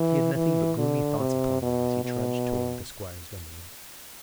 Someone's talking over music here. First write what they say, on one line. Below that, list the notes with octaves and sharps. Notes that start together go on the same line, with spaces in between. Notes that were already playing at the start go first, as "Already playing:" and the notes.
He had nothing but gloomy thoughts upon him as he trudged towards the Squire's domain.
Already playing: E3
E3
D3
C3
B2
B2